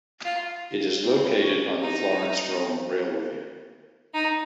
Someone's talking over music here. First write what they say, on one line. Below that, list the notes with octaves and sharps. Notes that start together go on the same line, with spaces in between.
It is located on the Florence–Rome railway.
F4
C4
C#4
D#4
D#4